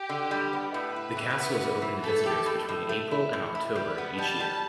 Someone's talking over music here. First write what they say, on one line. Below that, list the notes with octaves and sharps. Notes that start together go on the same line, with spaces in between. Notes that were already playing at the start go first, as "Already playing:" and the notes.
The castle is open to visitors between April and October each year.
Already playing: G4
D3
G3
B3
A2 B4
E4
E3
B3
E3
E3
A3 A4
G4
A2
A2
A3
E4
A2
E4
G3 B4
B3
G3 A5
G3